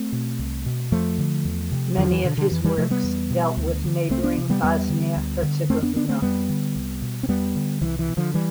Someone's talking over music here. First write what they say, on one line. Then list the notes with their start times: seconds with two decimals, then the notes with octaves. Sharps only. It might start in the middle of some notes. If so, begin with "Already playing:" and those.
Many of his works dealt with neighbouring Bosnia-Herzegovina.
Already playing: A3 C4
0.13 B2
0.39 C2
0.66 B2
0.92 F2 F3 A3
1.18 D3
1.45 E2
1.72 C3
1.98 E2 D3 F3
2.11 E3
2.24 B2 D3
2.37 D3
2.51 F2 E3
2.64 E3 G3
2.77 C3 F3 A3
2.90 G3 B3
3.04 E2
3.30 B2
3.57 D2
3.84 D3
4.10 C2 A3 C4
4.23 B3 D4
4.37 C3
4.49 G3 B3
4.63 E2 G3 B3
4.89 D3
5.17 D2
5.43 D3
5.69 F2 A3 C4
5.82 B3 D4
5.96 D3 B3 D4
6.09 A3 C4
6.22 F2 G3 B3
6.49 D3
6.75 C2
7.02 B2
7.23 C4
7.28 E2 G3 B3
7.56 D3
7.81 C2 E3
7.99 E3
8.09 B2
8.17 D3 F3
8.34 E3 G3